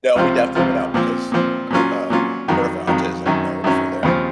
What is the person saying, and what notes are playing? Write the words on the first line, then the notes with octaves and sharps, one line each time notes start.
No, we definitely went out because, oh um Puerto Vallarta is, like, known for their,
C#2 C3 F3 C4 F4
C#2 C3 F3 C4 F4
A#2 F3 C4
A#2 F3 C4
A#2 F#3 C#4 F4
A#2 F#3 C#4 F4
F2 D#3 F#3
F2 D#3 F#3
F#2 D#3 F#3 C#4
F#2 D#3 F#3 C#4
D#2 C#3 F3 C4